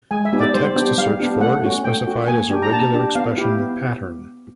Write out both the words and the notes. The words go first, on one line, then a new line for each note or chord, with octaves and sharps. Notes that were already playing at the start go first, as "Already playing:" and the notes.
The text to search for is specified as a regular expression "pattern".
G#3 G#5
E5
B3 D#4 G4
D5
G3 C5
B3 D4 G4
G3 F5
B3 D4 G4
A3 F#5
C#4 F#4
A3 G5
C#4 F#4
A#3 G#5
D4 G4
A#5
A#3 A5
D4 G4
B3 F5
E4 G4
B3